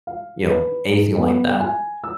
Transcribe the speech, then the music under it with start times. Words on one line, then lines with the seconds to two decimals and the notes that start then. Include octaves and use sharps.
you know, anything like that?
0.07 F5
0.45 B4
0.93 G#2
1.17 B3
1.60 G#5
2.04 E6